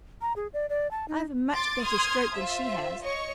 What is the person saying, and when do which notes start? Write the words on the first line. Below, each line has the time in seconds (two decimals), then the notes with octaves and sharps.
I've a much better stroke than she has.
0.21 A#5
0.36 G#4
0.53 D5
0.69 D5
0.91 A5
1.08 D#4
1.52 C6 D6 A6
1.83 C6 D#6 F6 G#6
2.35 F4 C5 E5
3.01 C#5 D#5 C#6